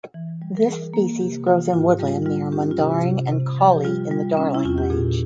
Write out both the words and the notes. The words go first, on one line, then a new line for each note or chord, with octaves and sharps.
This species grows in woodland near Mundaring and Collie in the Darling Range.
E3
G3
A#4
E3 G#4
A#3
C3 G4
E3 F4
G#2 F4
G4
F4
G3 G4
F4
G3 F4
C#4 G4
F4
C3 G4
C3
C3
F3
G4
G3 F4
G3
C#4
E4
E2 F4
G4
A#2 G#4